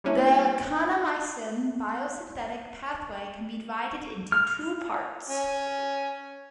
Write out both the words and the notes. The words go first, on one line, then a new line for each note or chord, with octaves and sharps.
The kanamycin biosynthetic pathway can be divided into two parts.
G3 A#3 C#4 D4 E4
F6
C#4